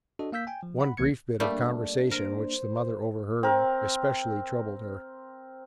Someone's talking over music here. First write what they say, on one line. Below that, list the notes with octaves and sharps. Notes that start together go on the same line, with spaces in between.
One brief bit of conversation which the mother overheard especially troubled her.
D4 F#4 A4 D#5
A#3 F5 E6 G6 B6
G5 G#5
F3
F#5 B5
B1 E3 A#3 G#6 C#7
G3 A3 A#3 D4
A#4 C5
C4 A#4